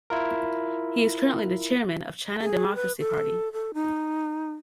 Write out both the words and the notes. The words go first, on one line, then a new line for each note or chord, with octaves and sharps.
He is currently the chairman of China Democracy Party.
E4 F4 A#4
G#4
B4
A4
A4
D#4